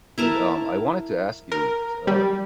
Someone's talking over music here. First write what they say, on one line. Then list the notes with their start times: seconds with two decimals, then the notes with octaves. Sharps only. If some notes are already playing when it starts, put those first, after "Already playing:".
But, um, I wanted to ask you, s uh,
0.18 E4 A#4 A5
1.52 A#4
2.07 G3